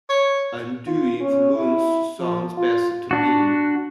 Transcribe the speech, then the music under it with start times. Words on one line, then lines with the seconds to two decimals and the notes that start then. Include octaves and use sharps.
Undue influence sounds best to me.
0.10 C#5
0.87 F4
1.21 C#4
1.56 E4
2.19 F3
2.58 F4
3.11 D4 F#4